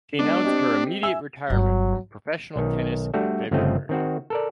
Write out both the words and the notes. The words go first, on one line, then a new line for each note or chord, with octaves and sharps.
She announced her immediate retirement from professional tennis in February.
G#3 B3 D4
C4 G4 D#5
E5 G#5 E6
G1 D#3 F#3
B1 D#3
G3 A3 D4 F#4
G1 C#3 F3 A3 C4 D#5
D#3 C4 F#4
A4 A#4 D5